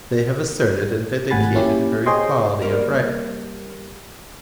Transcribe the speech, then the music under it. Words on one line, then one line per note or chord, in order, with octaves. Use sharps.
They have asserted and vindicated her equality of right.
G#1 A2 F#5 G#5 B5 A6
A#3 C#4 E4 G4
G#4 C5 C#5 D#5 G5 C6
G3 A#3 A#4